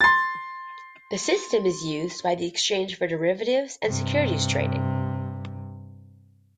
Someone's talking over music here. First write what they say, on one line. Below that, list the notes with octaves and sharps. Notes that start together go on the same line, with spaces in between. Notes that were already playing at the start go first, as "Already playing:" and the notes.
The system is used by the exchange for derivatives and securities trading.
C6 A6
G2 C3